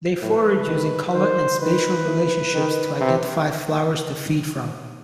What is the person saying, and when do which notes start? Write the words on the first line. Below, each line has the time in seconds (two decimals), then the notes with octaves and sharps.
They forage using colour and spatial relationships to identify flowers to feed from.
0.21 A2 B4
0.68 D#3
1.14 D#3 C5
1.60 D#3 B4
2.07 E3
2.54 D#3
3.01 C3